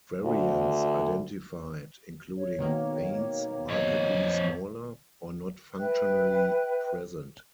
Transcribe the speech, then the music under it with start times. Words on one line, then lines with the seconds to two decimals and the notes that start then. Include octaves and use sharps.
Variants identified including veins markedly smaller, or not functionally present.
0.22 D2
2.37 C#5
2.59 B2 D#3 A#3
3.69 F2 C#5 D#5
5.78 B4 E5 G5 F#6